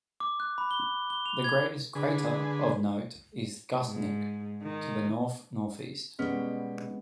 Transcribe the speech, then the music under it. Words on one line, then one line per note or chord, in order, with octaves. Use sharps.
The nearest crater of note is Guthnick to the north-northeast.
D6
F#6
B5
G7
G7
F7
G#6
D3 G#4 B4
G#2
D#3
B2 G3 G#3 B3 C#4